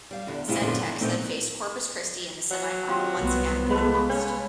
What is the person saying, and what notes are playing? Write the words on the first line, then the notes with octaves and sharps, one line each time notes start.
CenTex then faced Corpus Christi in the semifinal once again, and lost.
G3 F5
E2 D3
G#2 C3 C4 E4 F4 G#4
F#2 A#2 D3 F3 B3 F4
D3 E3
A#2 A3 B3 C4 D#4
F#3
C4 F4 G4
C2 B3
G#3 A4 B4
C#4